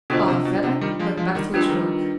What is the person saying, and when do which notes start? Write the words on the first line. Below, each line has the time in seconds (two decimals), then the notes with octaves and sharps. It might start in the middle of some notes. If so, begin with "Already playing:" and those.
Father Vedder went back to his work.
0.10 B2 D3 D4 F4 C5 D#5
0.28 C3
0.45 B2
0.64 C3
0.81 D#3 G3
0.99 F3 G#3
1.17 F3 G#3
1.35 D#3 G3
1.54 G3 D4 F4 B4
1.61 G#3
1.69 D#3 G3